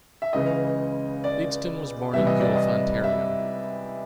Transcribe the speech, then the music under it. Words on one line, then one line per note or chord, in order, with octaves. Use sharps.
Leadston was born in Guelph, Ontario.
E5
C#2 C#3 E3 D#5
D5
C2 C3 E3 G3 E5
D#5
D5
D#5
E5